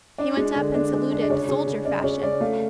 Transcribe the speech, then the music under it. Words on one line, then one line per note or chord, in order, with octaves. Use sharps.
He went up and saluted, soldier-fashion.
D4 D5
G#3
D3
D4
G#3
D4
D5
C#3 C#5
C#3
C#3
C#4 D5
D5
C#3 C#5
C#4 D5
A3 F5